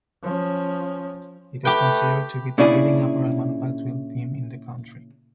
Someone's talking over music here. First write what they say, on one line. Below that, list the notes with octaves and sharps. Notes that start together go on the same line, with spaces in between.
It is considered to be the leading apparel manufacturing firm in the country.
F3 C#4
A3 G4 B4 G5
A#2 C#3 D4 E4 G#4